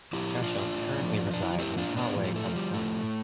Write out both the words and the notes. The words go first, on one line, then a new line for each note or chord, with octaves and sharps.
Trachsel currently resides in Poway, California.
F3 E4 G4
A2 D4 F4
A2
F3
F3 D4
E4
F4
A2 E4 G4
D4 F4
A2
B3 D4
F3
G3
A3
F3
G3
A2 A3
A2